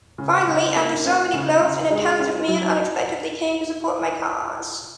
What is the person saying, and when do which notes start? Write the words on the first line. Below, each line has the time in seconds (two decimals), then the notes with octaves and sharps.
Finally, after so many blows, an intelligent man unexpectedly came to support my cause.
0.18 C#3
0.47 C#3
0.76 A#3
1.05 C#4
1.33 C#3
1.62 C#3
1.91 G#3
2.20 C#4
2.48 F#3